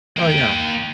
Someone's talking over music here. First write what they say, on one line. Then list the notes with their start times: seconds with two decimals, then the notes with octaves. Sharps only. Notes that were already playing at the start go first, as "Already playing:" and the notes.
Oh, yeah.
0.17 A#3 G5